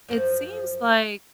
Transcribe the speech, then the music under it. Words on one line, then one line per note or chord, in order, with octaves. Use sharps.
it seems like
F#2 F3